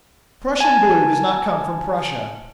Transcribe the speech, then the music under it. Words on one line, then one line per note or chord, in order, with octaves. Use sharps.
Prussian blue does not come from Prussia.
G#5 A5